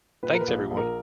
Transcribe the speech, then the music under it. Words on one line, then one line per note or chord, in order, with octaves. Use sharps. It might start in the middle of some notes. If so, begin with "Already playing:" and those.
Thanks everyone!
A#2 B4
A#4
B4
A#1
A#1
A#4